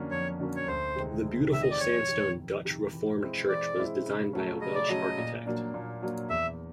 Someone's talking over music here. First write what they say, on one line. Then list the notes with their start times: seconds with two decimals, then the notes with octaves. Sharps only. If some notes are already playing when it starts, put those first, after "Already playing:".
The beautiful sandstone Dutch Reformed church was designed by a Welsh architect.
Already playing: F2 D3 F#3 A#3 C#4
0.11 F2 C#5
0.40 D3 F#3 A#3 C#4
0.56 C#5
0.67 D2 C5
0.96 C3 D#3 G#3 C4
1.24 D2
1.52 C3 D#3 G#3 C4 E5
1.62 D#5
1.71 D5
1.80 F2 C#5
2.08 C3 D#3
2.36 F2
2.65 C3 D#3
2.92 E3
3.20 G#3 C4 E4
3.49 E3 D5
3.77 G#3 C4 E4
4.05 C#3
4.33 F#3 A3 C#4
4.61 C#3 D#5
4.75 D5
4.88 F#3 A3 C#4 D#5
5.18 A#2
5.46 F#3 A#3 D4
5.74 A#2
6.02 F#3 A#3 D4
6.30 E2 E5